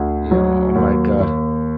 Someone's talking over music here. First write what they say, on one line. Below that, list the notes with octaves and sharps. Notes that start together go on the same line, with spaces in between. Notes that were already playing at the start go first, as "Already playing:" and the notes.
Yeah, oh oh my god.
Already playing: D2
F#3
D#2
D#2